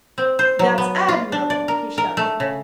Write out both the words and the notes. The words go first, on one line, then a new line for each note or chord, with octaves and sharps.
"That's admirable!" he shouted.
C4
C5
F#3
B3
F4
D4
D5
A#4
A#4
A3
C#3